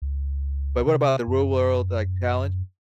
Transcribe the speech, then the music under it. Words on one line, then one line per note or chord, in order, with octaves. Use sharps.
But what about The Real World, like, Challenge?
C#2
C3
F#2